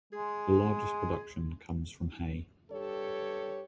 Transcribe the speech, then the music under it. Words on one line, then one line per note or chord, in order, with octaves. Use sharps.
The largest production comes from hay.
G#3 G#4
G2 G4 A4 C#5